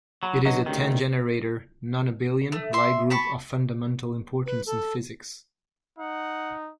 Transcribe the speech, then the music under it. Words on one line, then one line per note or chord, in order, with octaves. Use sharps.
It is a ten-generator non-abelian Lie group of fundamental importance in physics.
F#3 B5
F#3 D4 B4 D#5
D2 D#3 C#4 G4
A3
E5 C6
A5 B5 C#6
B4
A4
D#4 F#5